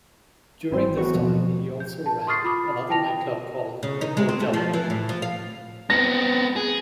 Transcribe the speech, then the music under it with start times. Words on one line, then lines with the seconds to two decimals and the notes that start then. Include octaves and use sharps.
During this time, he also ran another nightclub called the Bordello.
0.71 G#1 G#2 E3 C4 C5
0.97 A3 B3 F#4 C#5
1.14 D#2 B2 F3
1.80 G6
2.06 A5
2.27 C6 C#6 D#6 F6 A6 C7
2.44 F4 B5 D6 D#6
2.89 E4 G5 A5 A#6 F7
3.83 C#3
4.01 D#4
4.17 G#3
4.29 C4
4.40 A3
4.54 F3
4.73 E3
4.90 A2
5.09 F3
5.22 F5
5.90 B3 C4 A#6
6.56 G#4